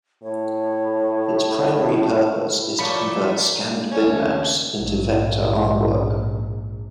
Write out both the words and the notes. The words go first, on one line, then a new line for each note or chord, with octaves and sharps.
Its primary purpose is to convert scanned bitmaps into vector artwork.
A2 C#5
A#2 F3 A3 C#5 B5
G#3 D4
C#4
A#1 D#2 C#3 A3
A#1 G#2